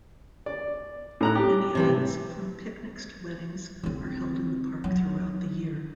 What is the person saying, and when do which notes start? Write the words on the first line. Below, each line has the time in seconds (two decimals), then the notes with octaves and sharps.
Many events, from picnics to weddings, are held in the park throughout the year.
0.46 D5
1.21 A2 A#5 F#6
1.35 G4
1.75 C3 E3 A3
3.83 D3 C4
4.84 F#3